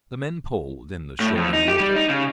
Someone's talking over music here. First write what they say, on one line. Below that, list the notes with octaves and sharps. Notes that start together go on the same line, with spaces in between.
The men poled in the shoaling water.
A2
F2
D#4
G4
G3
D#4
C#3